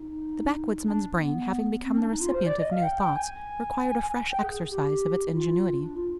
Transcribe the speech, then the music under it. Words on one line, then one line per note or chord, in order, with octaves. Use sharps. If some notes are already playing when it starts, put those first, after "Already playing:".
The backwoodsman's brain having become the recipient of new thoughts, required a fresh exercise of its ingenuity.
Already playing: D#4
D4
B3
C4
D4
D#4
F4
C5
D5
D#5
F5
G5
G5
G#5
G5
G#4
G4
F4
D4
F4